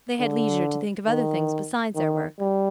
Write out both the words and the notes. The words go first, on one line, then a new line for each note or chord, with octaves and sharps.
They had leisure to think of other things besides their work.
D3
D#3
D#3
G3